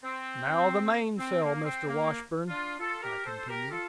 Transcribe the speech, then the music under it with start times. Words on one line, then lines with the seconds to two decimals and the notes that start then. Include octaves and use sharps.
"Now the mainsail, Mr. Washburn," I continued.
0.03 C4
1.18 C4
1.41 A#3
1.64 C4
1.86 A#3
2.48 D4 F4
2.78 F4 A4
3.02 G4 A#4
3.25 A4 C5
3.48 G4 A#4
3.71 F4 A4